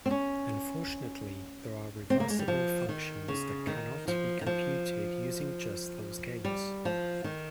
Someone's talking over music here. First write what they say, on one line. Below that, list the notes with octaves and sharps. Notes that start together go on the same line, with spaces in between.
Unfortunately, there are reversible functions that cannot be computed using just those gates.
C4
C#4
C4
A#3
G#3
G3
F3
D#3
C#3
D#3
F3
D#3
F3
G3
F3
D#3